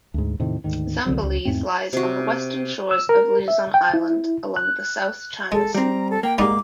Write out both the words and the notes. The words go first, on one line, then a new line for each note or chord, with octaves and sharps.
Zambales lies on the western shores of Luzon island along the South China Sea.
D2 G#2
E2 A2 C3 D#3
D2 G#2 D#3
C2 D3 F#3
C#2
E2 G#2 A3 C4
C3 F#4
E6
A#4
E5
G5
E4
F#6
G#3 A4
G3 C4 A#5
A4
A#3 G5
G#2 G3 A#3 D#4 D6